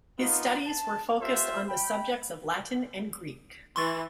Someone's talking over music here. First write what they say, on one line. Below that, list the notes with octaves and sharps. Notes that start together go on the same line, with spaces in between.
His studies were focused on the subjects of Latin and Greek.
A#3 B3 D#4 F4
A5
A3 F4 G4 C5 E5
G5 B5
E3 C6 C#6 A6